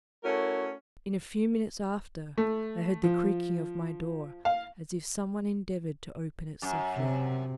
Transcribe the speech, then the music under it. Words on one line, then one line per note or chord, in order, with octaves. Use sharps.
In a few minutes after, I heard the creaking of my door, as if some one endeavoured to open it softly.
A3 C#4 E4 F#4 A#4
A3
F3
F5
F#2
C3